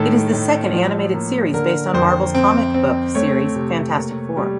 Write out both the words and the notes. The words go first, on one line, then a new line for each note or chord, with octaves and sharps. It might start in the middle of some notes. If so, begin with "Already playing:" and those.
It is the second animated series based on Marvel's comic book series Fantastic Four.
Already playing: A2 D#3 A4
A2
F3
A#3
D3 A#4
F2 C5
C4
C4
A3 C#5
C3
A#3
G3